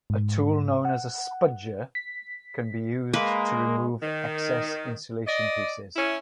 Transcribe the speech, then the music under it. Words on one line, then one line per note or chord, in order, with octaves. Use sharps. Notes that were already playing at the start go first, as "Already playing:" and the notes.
A tool known as a spudger can be used to remove excess insulation pieces.
G#2
F#5
B6
G#3 A#3 B4
D#3
D5 D#5
C#4 E4